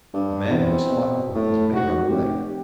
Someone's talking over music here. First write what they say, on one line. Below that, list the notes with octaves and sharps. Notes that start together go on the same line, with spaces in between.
A man who has fought with weapons may run away.
G2
E2 C4
B2
A2
G#2 F#4
F1 G4